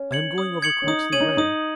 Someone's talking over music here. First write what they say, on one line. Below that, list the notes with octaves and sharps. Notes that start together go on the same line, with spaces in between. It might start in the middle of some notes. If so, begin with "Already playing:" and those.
"I am going over Croxley way."
Already playing: C#4
G#6 C#7 F#7
D#6
G#6 C#7 F#7
C#4
D#4 D#6
C#4 G#6 D#7 F#7
D#4
C#4
D#4 D#6